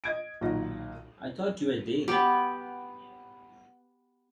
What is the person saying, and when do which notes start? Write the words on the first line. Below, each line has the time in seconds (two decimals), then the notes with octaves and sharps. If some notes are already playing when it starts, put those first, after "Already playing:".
I thought you were Dale!
0.04 D#5 G#6 D7
0.41 B1 A#2 D#3 D#4 F#4 A#6
2.08 B3 G4